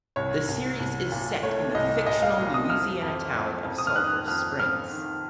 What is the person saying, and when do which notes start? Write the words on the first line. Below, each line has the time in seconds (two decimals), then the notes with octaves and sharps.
The series is set in the fictional Louisiana town of Sulphur Springs.
0.16 C2 C#5
0.48 C2
0.80 C2
1.12 A#2
1.43 A3 C#5
1.75 C2 D#5
2.06 A#2 D#5
2.22 F5
2.38 A#2
2.54 D#6
2.70 F2 F6
3.02 F2
3.33 F2
3.64 F2
3.78 D#6
3.87 F6
3.96 D#3 F#6
4.28 F2 F6
4.59 F2 F6
4.91 D#3